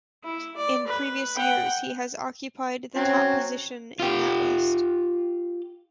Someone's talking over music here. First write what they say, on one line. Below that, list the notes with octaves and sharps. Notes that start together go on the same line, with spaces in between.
In previous years he has occupied the top position in that list.
E4
D5
B4
F#5 G5
F#3 C4 C#4
F4 G4